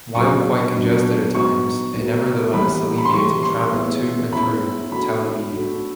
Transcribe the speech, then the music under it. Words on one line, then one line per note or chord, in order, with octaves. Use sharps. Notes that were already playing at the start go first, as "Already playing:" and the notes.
While quite congested at times it nevertheless alleviated traveling to and through Tel Aviv.
A#2 F#3 B3 D4 F#4 C#6
A#2 F#3 B3 D4 F#4
B3 D#4 F#4 C#6
B3 D#4 F#4
E3 G3 A#3 D#4 G4 B5
B5
C6
E3 G3 A#3 D#4 G4 C#6
C6
B3 E4 G#4 C#5 E5
B3 E4 G#4 C#5 E5 B5
A3 D4 F#4 A4 B5
A3 D4 F#4 A4